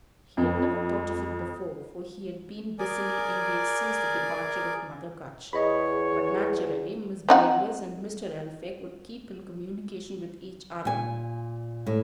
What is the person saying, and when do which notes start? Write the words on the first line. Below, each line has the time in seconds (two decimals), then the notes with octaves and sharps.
He had never thought of it before, for he had been busily engaged since the departure of Mother Gutch; but, naturally, Miss Baylis and Mr. Elphick would keep in communication with each other.
0.37 F2
2.79 G#4 A#4 D5 G#5 D6
5.53 E2 G#4 C#5 D#5 B5
7.29 C4 D#4 F#5
10.85 A#2 G#5
11.87 A2